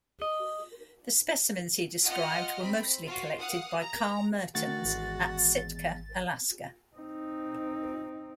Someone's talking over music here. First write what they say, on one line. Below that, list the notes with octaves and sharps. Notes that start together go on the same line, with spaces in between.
The specimens he described were mostly collected by Carl Mertens at Sitka, Alaska.
D#5
F4 D#5 F#5 F6
C4 B5
F4 F#4
F5 F#5 D#6
A#5
D3 D#3 A3 F#4 A#4 A6
G#1 E2 G#3
C4 D#4